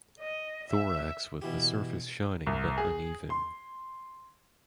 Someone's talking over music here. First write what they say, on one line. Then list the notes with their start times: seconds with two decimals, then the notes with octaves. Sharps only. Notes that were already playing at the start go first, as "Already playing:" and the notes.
Thorax with the surface shining but uneven.
0.20 D#5
0.68 E5
1.42 B2 E3 G4
2.47 C2
2.78 G#4
3.30 C6